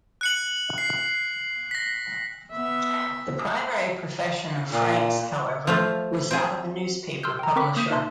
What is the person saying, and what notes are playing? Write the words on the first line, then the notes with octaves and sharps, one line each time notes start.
The primary profession of Franks, however, was that of a newspaper publisher.
F#6 C#7 F#7
C7
A#6 B6
B3 E5
A#2
F3 A3 F4
C4 G#4
C6 E6 F6 G6
G5 A#5
C4 A#4 B5 C#6 D6 B6
A#3 D#6 G6 B6
D#4 E5 A5 C6